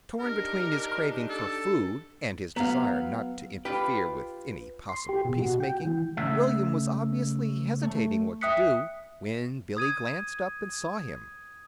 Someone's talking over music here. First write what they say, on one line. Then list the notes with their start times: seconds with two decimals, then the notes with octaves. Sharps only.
Torn between his craving for food and his desire not to interfere with any possible peace-making, William was obviously hesitating what to do, when Billy glanced up and saw him.
0.19 D4 D#4 G4 A#4
1.30 A4
2.56 F#3 B3 F5
3.65 F4 G4 B4
4.89 C6
5.09 G4
5.25 B2
5.42 F#4
5.60 G5
5.81 E3
6.17 C#3 A3 E5
7.83 A3
8.41 E5 G5 D#6 F#6 B6 C#7
9.77 D#6 G#6 D#7